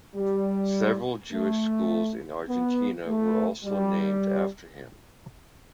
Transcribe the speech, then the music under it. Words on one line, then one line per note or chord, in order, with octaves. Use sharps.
Several Jewish schools in Argentina were also named after him.
G3
A3
B3
A3
G3